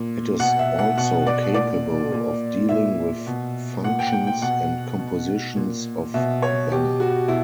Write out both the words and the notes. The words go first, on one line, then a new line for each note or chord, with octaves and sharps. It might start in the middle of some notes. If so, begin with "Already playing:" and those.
It is also capable of dealing with functions and compositions of them.
Already playing: A#2
B2 F#5
E5
F#5
B2 F#5
D5
A#2 D5
A#2
A#2 E5
B2
A#2 F#5
G5
F#5
G5
G5
B2 F#5
B2
A#2
B2 E5
C#5
B2 G4
F#4
B2 E4